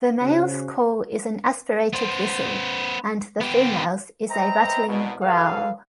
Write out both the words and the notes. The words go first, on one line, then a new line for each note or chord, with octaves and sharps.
The male's call is an aspirated whistle, and the female's is a rattling growl.
C#3 C#4 F#4 C5
B3 C5
B3 G4
B4 C5 D#5 E5 G5 A#5
C2 B2
F#3 G#4 A4 B4 F5